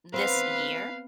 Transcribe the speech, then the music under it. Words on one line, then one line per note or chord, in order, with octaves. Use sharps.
this year,
B3 C4 B4 F5